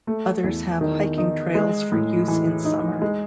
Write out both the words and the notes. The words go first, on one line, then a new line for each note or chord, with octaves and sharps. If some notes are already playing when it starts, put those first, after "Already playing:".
Others have hiking trails for use in summer.
A3
E2
D#3
D#4
G#3
A2
E3
D#4
G#3